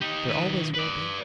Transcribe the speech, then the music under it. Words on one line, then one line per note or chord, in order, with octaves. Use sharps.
"There always will be."
D#4 G4
D#3 B4
B4 D5